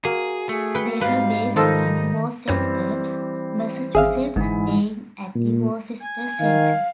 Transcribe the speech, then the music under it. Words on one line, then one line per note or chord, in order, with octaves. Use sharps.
They were based in Worcester, Massachusetts, playing at the Worcester Centrum.
A#3 F#4 G#4
A3 G#4
B4 G5
G#2 G3 B4 F5
D#3 F3 D#4 F4 A4
F#2 E3 G3 C4 B4 C#5
G#1 G#4 E5 F5
G1 G#2 E3
A#2
G#5
D#3 F5